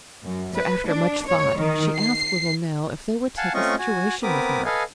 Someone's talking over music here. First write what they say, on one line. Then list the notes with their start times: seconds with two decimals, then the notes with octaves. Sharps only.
So, after much thought, she asked little Nell if they would take a situation with her.
0.24 F#2
0.56 B4
0.88 D4
1.27 C#5
1.59 D#3
1.95 C7
3.37 F5 F#5 G#5 A5
3.54 A3 C4 C#4 F4 D#5 C#6
3.79 F#4 G#5
4.23 B3 C4 A#4 B5 D6 D#6
4.65 A4 B4 D#5 F5 G#5